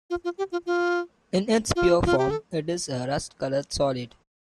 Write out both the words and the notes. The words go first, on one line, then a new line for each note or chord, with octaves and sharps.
In its pure form it is a rust-colored solid.
F4
F4
G4
F4
F4
F4
F4
G4
A4